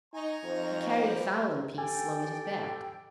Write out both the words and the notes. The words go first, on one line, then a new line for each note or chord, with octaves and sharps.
He carried a fowling-piece slung at his back.
D#4 G#5 A#5 C#6
F2 D#4 C5
G4 A#4 B4
G4 A4 G5 G#5